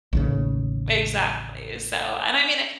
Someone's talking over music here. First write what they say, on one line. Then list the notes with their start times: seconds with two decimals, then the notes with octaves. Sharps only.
exactly, so and, I mean,
0.13 A1 D#2 C#3